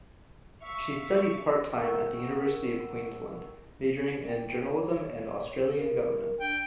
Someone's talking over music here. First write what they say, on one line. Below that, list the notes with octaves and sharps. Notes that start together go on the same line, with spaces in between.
She studied part-time at the University of Queensland, majoring in journalism and Australian government.
E5 F5 C#6
A#4 F#5 G5 C#6 E6
G5
C#5
A#4
D4 G5